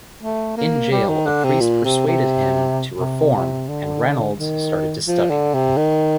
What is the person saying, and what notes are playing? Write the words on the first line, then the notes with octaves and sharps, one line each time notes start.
In jail a priest persuaded him to reform and Reynolds started to study.
A3
A#3
G3
D#3
D3
C3
A#2
C3
C3
C3
C3
D3
D#3
F3
D3
C3
D#3